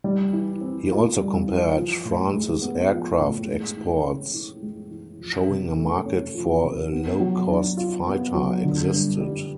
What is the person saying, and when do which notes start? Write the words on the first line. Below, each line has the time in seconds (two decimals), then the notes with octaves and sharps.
He also compared France's aircraft exports, showing a market for a low-cost fighter existed.
0.04 G3
0.33 E3
0.61 C4
0.91 F4
1.20 G3
1.48 E3
1.76 F3
2.05 A2
2.33 G#3
2.62 B3
2.91 F3
3.20 A2
3.48 G#3
3.77 E3
4.05 C#4
4.34 E3
4.63 G#3
4.91 E3
5.20 F3
5.49 C3
5.77 A3
6.06 C#4
6.35 F3
6.63 C3
6.92 B3
7.20 F#3
7.50 D4
7.77 F4
8.07 B3
8.34 F#3
8.64 D3
8.92 G2
9.21 G3